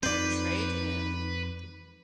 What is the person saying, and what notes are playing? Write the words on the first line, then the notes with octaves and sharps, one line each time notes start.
portrayed him
F2 C4 D#4 B4 C5 D5